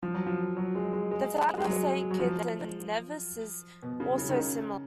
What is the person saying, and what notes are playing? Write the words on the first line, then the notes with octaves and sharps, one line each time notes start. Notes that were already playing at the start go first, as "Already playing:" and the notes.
The Flag of Saint Kitts and Nevis is also similar.
F3
F#3
F3
F#3
G#3
G#3
G#3
G#3
F#3
F#3
F3
B2
C#3
C#3
D#3
C#3